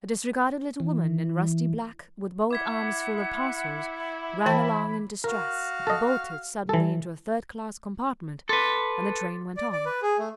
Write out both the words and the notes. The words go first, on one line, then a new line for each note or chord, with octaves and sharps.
A disregarded little woman in rusty black, with both arms full of parcels, ran along in distress, bolted suddenly into a third-class compartment and the train went on.
E3
E4 F#5 D6 G#6 B6
E3 G5 A5 B5
F#4 A#4 F5
A4 D#5
E3 A4
A4 B4 C6 D6 B6
D5
D5
B4
G#4
A3